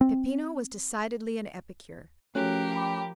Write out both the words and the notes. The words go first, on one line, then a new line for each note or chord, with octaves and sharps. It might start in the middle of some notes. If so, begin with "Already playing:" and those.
Peppino was decidedly an epicure.
C4
F3 A3 C#4 F#4 G4 A#4 F#6
G5 B5 D6